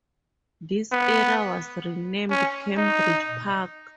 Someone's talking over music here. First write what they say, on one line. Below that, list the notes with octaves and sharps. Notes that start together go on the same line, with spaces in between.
This area was renamed Cambridge Park.
B3
C#4
D#4